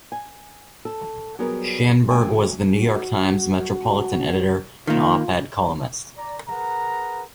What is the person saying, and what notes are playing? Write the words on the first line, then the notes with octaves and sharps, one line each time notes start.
Schanberg was "The New York Times" Metropolitan Editor, and Op-Ed columnist.
G#5
A4
F#3 G3 B3 G#4 A#4
D2 F#3 G5 G#5
F#4
D#3 A#3 F4
D5 A#5
G#4 A#4 B4 F#5 A#5